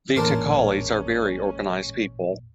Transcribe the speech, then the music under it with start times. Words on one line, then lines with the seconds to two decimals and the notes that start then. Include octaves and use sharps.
The Thakalis are very organized people.
0.16 A1 E2 A#2 G#3 C#4 D4 A#4 C5